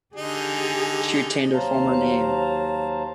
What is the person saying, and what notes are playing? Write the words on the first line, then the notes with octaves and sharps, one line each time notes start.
She retained her former name.
D3 D#4 G4 G#4
D#2 F#3 C5 F5 A5 A#5